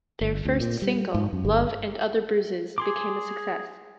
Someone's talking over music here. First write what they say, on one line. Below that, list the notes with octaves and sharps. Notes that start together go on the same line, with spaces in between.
Their first single, "Love and Other Bruises", became a success.
G1
D2
A#2
G3
G#2
F#2
G1
G#4 C6 D6